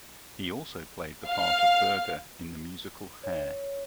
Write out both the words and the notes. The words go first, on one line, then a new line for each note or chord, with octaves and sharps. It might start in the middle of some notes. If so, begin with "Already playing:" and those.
He also played the part of Berger in the musical "Hair".
F5
C#5